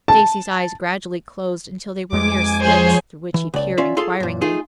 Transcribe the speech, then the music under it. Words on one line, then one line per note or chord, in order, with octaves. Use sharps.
Stacy's eyes gradually closed until they were mere slits, through which he peered inquiringly.
A5
F2 G#3 G#5 D6
F3 G#4 C5 C#5
E3
C#2 D5
C#4 F4 D5 E5
F4 G#4 A4 F5 C6
F#2 A#2
A3 D#4 F4 G#4